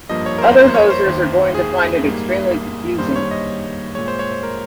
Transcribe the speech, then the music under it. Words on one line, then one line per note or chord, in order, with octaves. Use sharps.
Other hosers are going to find it extremely confusing.
G2 F3 A#3 D#5
C#5
A#4
C5
C5
C#5
C5
D#2 D#3 A#3
G#4
G#2 G3 A#3
G2 D#3 G3 A#3 C5
C#5
D#5
A#2 G#3 C#5
C5
C#5
C5
A#4